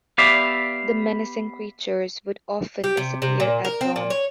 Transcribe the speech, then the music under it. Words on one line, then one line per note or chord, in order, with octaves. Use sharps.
The menacing creatures would often disappear at dawn.
B3 G4 D5 E5 F5
G4
C3
C3
A#2
A#4
C4
A#2
C#5